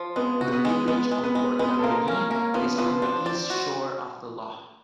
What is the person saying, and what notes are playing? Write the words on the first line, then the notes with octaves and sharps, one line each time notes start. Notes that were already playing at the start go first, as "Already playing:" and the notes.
The village of Portavadie is on the east shore of the loch.
Already playing: F3
G#3 B3 B4
F#4
B3 B4
G#3
G#3 B3 B4
G#3
B3 B4
G#3
G#3 B3 B4
A4
F3 A#3 A#4
A#3 C#4 A#4
A#3 C#4 A#4
F3 B3 B4
F3 B3 B4
C4 D4 C5
D5
F#4